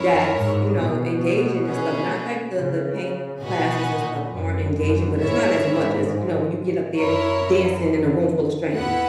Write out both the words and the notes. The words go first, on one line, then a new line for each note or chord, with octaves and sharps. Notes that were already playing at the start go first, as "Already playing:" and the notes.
that's, you know, engaging and stuff, not like the the paint classes and stuff aren't engaging, but it's not as much as, you know, when you get up there dancing in a room full of strangers.
Already playing: F#2 E4 A#4 C#5
G#2
B2
C#4 G#4 B4
C#3
B2 D#4 F#4 B4 D#5 G#5
A#2
F#2
F#2
G#2 E4 A#4 C#5 E5
F#2 E4 A#4 C#5
E2 B3 E4 B4 F#5